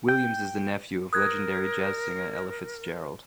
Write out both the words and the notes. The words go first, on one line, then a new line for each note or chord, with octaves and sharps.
Williams is the nephew of legendary jazz singer Ella Fitzgerald.
G5
A#4 D#6 F#6 G#6